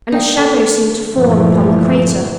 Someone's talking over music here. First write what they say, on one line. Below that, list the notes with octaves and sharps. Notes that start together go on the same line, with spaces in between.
And a shadow seemed to fall upon the crater.
D4 D#4 G5
D3
G2 A#2 D3 E3 F3 A3